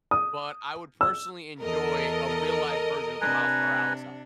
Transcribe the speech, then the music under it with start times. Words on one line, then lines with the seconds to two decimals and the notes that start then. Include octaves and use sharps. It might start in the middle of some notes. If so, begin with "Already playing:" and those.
But I would personally enjoy a real-life version of the Miles Morales outfit.
0.11 D#6
1.01 E6
1.60 E2 A4 A#4 D#5
3.21 C3 D4 B4 G#5 A#5